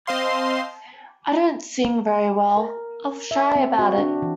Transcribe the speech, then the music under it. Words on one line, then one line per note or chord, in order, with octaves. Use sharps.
I don't sing very well, I was shy about it.
C4 C5 D#5 F5 C6
A#4
E5
C4
F#4
D4
E3